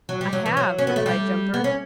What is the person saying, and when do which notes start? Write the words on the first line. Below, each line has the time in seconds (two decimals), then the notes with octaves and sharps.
"I have," replied Jumper.
0.09 F#3
0.21 G3
0.33 F#3
0.46 E3
0.57 F#3
0.79 C#4
0.87 B3
0.96 A3
1.06 G3
1.54 B3
1.64 C#4